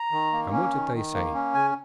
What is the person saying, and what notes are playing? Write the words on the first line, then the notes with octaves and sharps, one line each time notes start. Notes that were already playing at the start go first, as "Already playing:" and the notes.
'And what did they say?'
Already playing: A#5
D#3
A#3
C#4
D#3
D#3
A#3
C#4
C#3 G#5